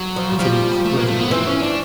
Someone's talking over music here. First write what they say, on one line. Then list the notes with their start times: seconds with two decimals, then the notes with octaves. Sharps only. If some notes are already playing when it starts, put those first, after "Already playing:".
"What an incredible event!"
Already playing: F#3
0.16 F3
0.38 F3 G3
0.85 A3
0.97 A#3
1.08 A3
1.20 B3
1.31 E3 C4
1.47 C#4
1.62 D4